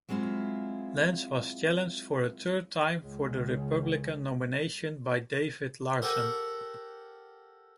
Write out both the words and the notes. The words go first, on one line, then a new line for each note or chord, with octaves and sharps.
Lance was challenged for a third time for the Republican nomination by David Larsen.
F#3 G#3 C4 E4 F4
C#2 C#3
G4 A4 A#4 C5 F#5